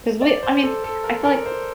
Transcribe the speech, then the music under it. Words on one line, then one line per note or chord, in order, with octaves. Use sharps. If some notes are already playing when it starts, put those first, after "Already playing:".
'Cause we I mean I feel, like,
D5
C5
A4
A4
A#4
A#4
C5